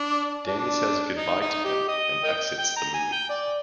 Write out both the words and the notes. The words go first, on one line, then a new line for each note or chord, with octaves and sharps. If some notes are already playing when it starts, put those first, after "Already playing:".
Danny says goodbye to him and exits the movie.
Already playing: D4
D4
D#4
D#4
G4
D#5
A#4 D#5 G5
G5
A#5
G#5
G5
D5